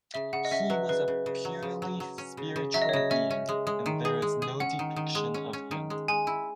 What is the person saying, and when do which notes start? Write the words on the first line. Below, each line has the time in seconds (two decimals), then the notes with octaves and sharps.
He was a purely spiritual being and there is no depiction of him.
0.14 C#3 E5
0.33 C#3 F#5
0.45 D#5
0.51 C#4 E5
0.70 F#3 B4
0.89 C#3 B4
1.08 C#3
1.26 C#3
1.45 F#3
1.62 C#3
1.82 F#3
2.00 F#3
2.18 C#4
2.37 C#3
2.56 C#3
2.74 F#3 E5
2.82 D#5
2.89 C#5
2.93 C#3 D#5
3.11 C#4 E5
3.31 C#4
3.49 G#3
3.67 G#3
3.86 D#3
4.05 G#4
4.22 G#3
4.42 G#4
4.60 C#4 F#5
4.79 D#3
4.96 D#3
5.15 G#3
5.34 C#4
5.53 C#4
5.71 D#3
5.90 G#3
6.08 G#3 G#5
6.27 E4